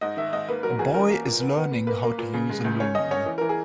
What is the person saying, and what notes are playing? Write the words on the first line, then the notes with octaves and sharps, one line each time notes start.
A boy is learning how to use a loom.
G#2 D#5
D#3 E5
G#2 D#5
A#3 B4
F#3 A#4
E2 G#4
C#4 A#4
A#3
A#2
B3
B3
B3
A#3 B4
A#3
A#2
C#3
G#3
C#2
C#4 C#5
C#4 D#5
C#4 C#5
E3
E3 A#4
G#4